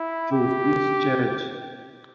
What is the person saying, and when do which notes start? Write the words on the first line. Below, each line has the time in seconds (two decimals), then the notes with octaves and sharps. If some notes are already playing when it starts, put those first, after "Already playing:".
Jooste’s church.
Already playing: E4
0.32 G4